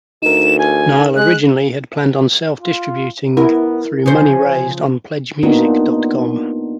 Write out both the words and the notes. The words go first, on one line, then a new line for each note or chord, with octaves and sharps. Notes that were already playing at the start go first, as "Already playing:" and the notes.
Nile originally had planned on self-distributing through money raised on PledgeMusic dot com.
D2 D#4 A#4 E7
G#5
G#3 F#6
F4
B3 E4 A#4
C#3 F3 C5 G#5
A#3 B3 D4 D#4 F4 F#4